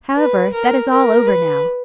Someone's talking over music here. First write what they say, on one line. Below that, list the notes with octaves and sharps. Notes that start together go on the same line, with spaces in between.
However, that is all over now.
B4
A#4
A#4
B4